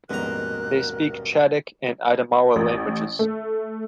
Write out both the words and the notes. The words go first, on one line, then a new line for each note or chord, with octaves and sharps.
They speak Chadic and Adamawa languages.
D#1 A#1 G#2 B2 A#4 A#5 F#6
A1
A3